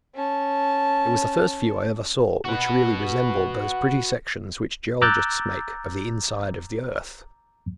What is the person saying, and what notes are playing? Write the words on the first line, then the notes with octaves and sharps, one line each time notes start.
It was the first view I ever saw, which really resembled those pretty sections which geologists make of the inside of the earth.
C#4 A5
F#4 B4
A#5 D6 E6 F#6 G6 A6